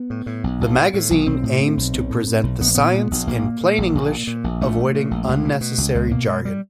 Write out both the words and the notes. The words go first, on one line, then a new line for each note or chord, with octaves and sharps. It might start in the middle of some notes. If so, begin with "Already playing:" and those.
The magazine aims to present the science in plain English, avoiding unnecessary jargon.
Already playing: B3
A2
A2
B1
B1
A2
A2
B1
B1 C4
A2
A2
B1
B1
A2
A2
B1
A#1 B3
A#3
A#2 B3
A#2
A#1
A#1 A#3
A#2
A#2
A#1
A#1
A#2
A#2
A#1
A#1 A3
A#2
A#2
A#1
C#2
B2
B2
C#2
C#2 G#3
B2 A#3
B2 G#3
G3